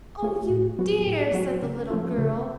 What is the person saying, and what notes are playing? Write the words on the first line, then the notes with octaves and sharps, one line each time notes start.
"Oh, you dear!" said the little girl.
A3 F4 G#4 C#5
A2
F#3 B3 F#4
A2
F#3 B3 F#4
C#3
F3 A3 C#4 F4
C#3